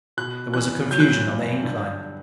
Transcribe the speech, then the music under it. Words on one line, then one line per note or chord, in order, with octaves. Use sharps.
There was a confusion on the incline.
B2 F#6
E2 F#6
F#3 G6
F#6
G6
G2
D3